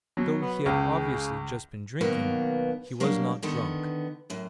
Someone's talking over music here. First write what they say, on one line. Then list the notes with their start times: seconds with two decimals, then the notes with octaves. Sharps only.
Though he had obviously just been drinking, he was not drunk.
0.17 B2 F#3
0.41 B3
0.66 C#2 C#3
2.01 B2 D#3 F#3 A#3 B3
3.00 F#3 G3 A#3 D4
3.43 D3 D#3 B3
4.30 F#2 A2